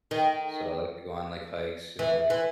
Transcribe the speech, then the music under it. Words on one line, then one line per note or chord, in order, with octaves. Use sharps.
So I like to go on, like, hikes and, like,
D#3
E3
E3